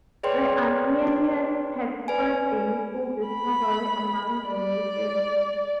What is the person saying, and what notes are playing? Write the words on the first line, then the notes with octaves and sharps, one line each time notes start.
The Athenians had spread the useful discovery among the nations.
G#4 B4 C#5 D5 G5 C6
B4 D5 G#5
B5
D5